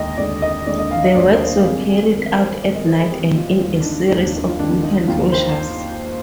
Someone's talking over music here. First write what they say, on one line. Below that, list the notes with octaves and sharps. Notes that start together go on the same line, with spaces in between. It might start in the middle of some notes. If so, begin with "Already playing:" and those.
The works were carried out at night and in a series of weekend closures.
Already playing: D#2 D3 G#3 D#5
D#2 D3 G#3 D5
D#5
D#2 D3 G#3 D5
D#5
F5
D#5
D#2 D3 G#3 D5
C5
A#4
F2 D#3 G#3 G#4
G#4
F2 D#3 G#3 A#4
C5
F2 D#3 G#3 D5
D#5
A#4
C5
G#4
F2 D#3 G#3 G4
F4
D#2 D#3 G#3 F4
D4
D#4
D#2 D#3 G#3 D#4
D4
D#4
F4
D#2 D#3 G#3 D4
D#4
D#2 D#3 G#3 F4
C5